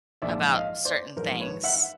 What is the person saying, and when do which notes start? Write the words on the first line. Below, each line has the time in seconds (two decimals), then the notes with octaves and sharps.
about certain things,
0.22 A#1 G#2 F3 D5 E5
0.54 D#5 F5
0.85 C5 D5
1.16 A#1 G#2 F3 A#4 C5
1.40 B4 C#5
1.63 E5 F#5